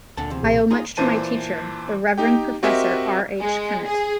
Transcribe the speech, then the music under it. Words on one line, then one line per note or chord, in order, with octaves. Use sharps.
I owe much to my teacher, the Reverend Professor R. H. Kennett.
D2 A#2 D3 A5
E2 C3
B1 A#2 G#4
D#4 F4 G#4 A#5 C6 D#6
A#2 E3 C5 A5 D#7
D#4 G4 G5
C4 F#4 G4 A#4 D#5 E5
G#3
G#4